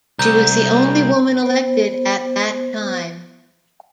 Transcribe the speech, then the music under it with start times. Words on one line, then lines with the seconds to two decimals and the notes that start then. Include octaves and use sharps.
She was the only woman elected at that time.
0.19 C2 A#5 G6
1.43 B3 C5